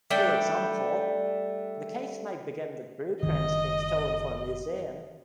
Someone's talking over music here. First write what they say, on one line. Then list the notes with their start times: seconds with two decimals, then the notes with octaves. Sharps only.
For example, the case might begin with blueprints being stolen for a museum.
0.10 G3 A3 D4 G5
3.23 F#1 D#3 D#5